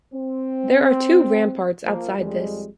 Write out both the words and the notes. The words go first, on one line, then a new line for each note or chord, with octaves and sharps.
There are two ramparts outside this.
C4
F3 A#3
F2 G3 G#3